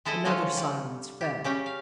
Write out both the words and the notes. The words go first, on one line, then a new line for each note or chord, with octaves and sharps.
Another silence fell.
G#3 E4 A4 D#5
D3 F3 G#3 F4 C#5 D#5
G3
G4
C#3 C#4 G4 G5
F5